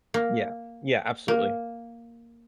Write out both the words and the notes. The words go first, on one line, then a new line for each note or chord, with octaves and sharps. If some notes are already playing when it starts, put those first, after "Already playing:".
Yeah, yeah, absolutely.
A#3
A#3